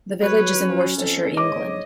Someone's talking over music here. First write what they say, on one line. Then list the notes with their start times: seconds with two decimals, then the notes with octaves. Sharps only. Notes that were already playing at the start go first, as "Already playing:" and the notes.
The village is in Worcestershire, England.
0.21 F#3 B4 C#5
0.57 C#4
0.97 F2 A4
1.37 G#2 C#5 D#5 D6